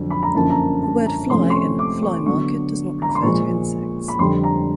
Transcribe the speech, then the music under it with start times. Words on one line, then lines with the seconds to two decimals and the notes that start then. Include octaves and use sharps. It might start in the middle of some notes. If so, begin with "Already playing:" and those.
The word "Fly" in Fly Market does not refer to insects.
Already playing: F2 D3 F#3
0.10 B5
0.23 A#5
0.34 F#2 D3 F3 A#3 A5
0.50 A#5
0.83 A5
1.06 A#5
1.30 C3 F3 A3 C#4 C6
1.50 C6
1.54 C#6
1.79 D6
2.02 C#6
2.26 D3 F#3 B3 C#6
3.02 A#5
3.09 B5
3.15 C6
3.23 A#2 F3 G#3 C#6
4.08 B5
4.19 F2 D3 G3 C6
4.44 A#5